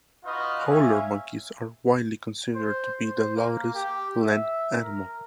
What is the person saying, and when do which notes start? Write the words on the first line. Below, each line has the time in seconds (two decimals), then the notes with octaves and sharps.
Howler monkeys are widely considered to be the loudest land animal.
0.24 D#4 F4 F#4 B4 D#5 F5
0.66 A#3 C#4 G#4 E5 F5 G#5
2.56 C5
3.05 C5
3.36 A#3
3.75 G4
4.21 E5
4.82 A#4